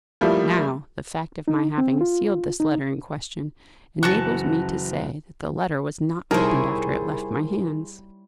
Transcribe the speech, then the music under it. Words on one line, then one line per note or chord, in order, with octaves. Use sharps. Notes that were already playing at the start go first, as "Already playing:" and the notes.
But now, the fact of my having sealed this letter in question, enables me to say that the letter was not opened after it left my hands.
F3 G3 A3 A#3 E4
D#4
C4
F4
D#4
F#1 E3 F#4 A5 C#6 F#6
C2 G3 D#4 E4 G#4 A#4 C5 C#5